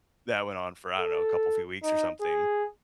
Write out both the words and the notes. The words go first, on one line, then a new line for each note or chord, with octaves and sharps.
that went on for, I don't know, a couple few weeks or something,
A4
D#4
G#4